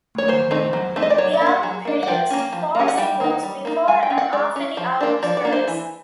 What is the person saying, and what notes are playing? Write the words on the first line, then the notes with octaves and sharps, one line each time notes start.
The album produced four singles before and after the album's release.
C#5
F#3 C5
A3 C4 D#4
F#3
A3 C4 D#4
D#5
D5
F#3 C#5
D5
A#3 D4
F#5
F#3
A#3 D4
F#5
F3 G5
A#3 C#4
F3
A#3 C#4
F#5
G3 G5
A#3 D#4
G3
A#3 D#4
G#3 G#5
G5
C#4
F#5
G#3 D5
C#4
F3
A#3 D4
F3 D5
D5
A#3 D4
C5
E3